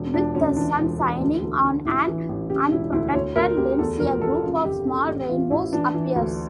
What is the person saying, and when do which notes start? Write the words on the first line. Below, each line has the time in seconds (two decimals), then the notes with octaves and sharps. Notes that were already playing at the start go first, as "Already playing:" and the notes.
With the sun shining on an unprotected lens, a group of small rainbows appears.
Already playing: E1
0.14 E1 D4
0.35 D2 C#4
0.56 E3 D4
0.78 E1
1.00 E3
1.21 D2
1.42 D2
1.64 D3
1.85 A1 E4
2.07 E3
2.29 A1
2.50 C#3 G4
2.72 E1 E4
2.93 D2 E4
3.14 D2 C#5
3.35 D2 A#4
3.57 D2 G4
3.79 E2 A4
4.00 F1 A#4
4.22 F1 A4
4.43 C#3 F4
4.65 F1 G4
4.87 C#3 A4
5.07 A1 G4
5.29 E3 F4
5.51 A1 E4
5.72 E3 D4
5.94 E3
6.16 D2